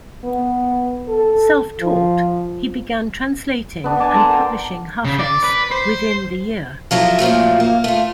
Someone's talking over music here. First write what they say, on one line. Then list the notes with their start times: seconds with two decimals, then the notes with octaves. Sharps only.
Self-taught, he began translating and publishing Hafez within the year.
0.24 B3
1.09 A4
1.81 F3
3.84 B3 D4
3.99 G#5 A5 D6
4.14 A4 F#5 A#5 C6
4.30 A#4 G5
5.05 C#3
5.19 D5
5.44 B4
5.72 C5
6.91 F3 F#3 E4 A4
7.19 A#2 F3 F#3 A3
7.60 A#3
7.84 A3 F4